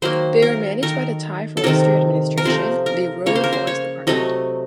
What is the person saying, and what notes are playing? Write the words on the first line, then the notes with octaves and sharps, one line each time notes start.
They are managed by the Thai forestry administration, the "Royal Forest Department".
D#3 F#3 A#3 C5
A#4
D#3 A3 A#4
A4
C3 D#3 A3 A#4
A#4
C3 F3 A3 C5
A#4
C#3 F3 A#3 C#5
C5
A#4
C5
C#5
C3 F#3 A3 D#5